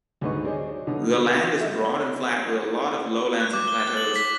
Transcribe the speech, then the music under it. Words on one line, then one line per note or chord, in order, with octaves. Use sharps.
The land is broad and flat with a lot of lowlands and plateaus.
D2 G#2 D#4 B4 D#5 C#6
F#3 D4 G#4 C5 C#5 D#5
B2 D3 F#3 D#4
D#5 E5
F#6
D6
G7
A6
F#7
B6